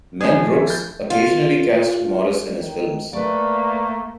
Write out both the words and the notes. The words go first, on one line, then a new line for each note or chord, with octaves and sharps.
Mel Brooks occasionally cast Morris in his films.
F3 G#4 G#6
A#2
E5
G6 A6
F4
D#3
A3 A#3 B4 D5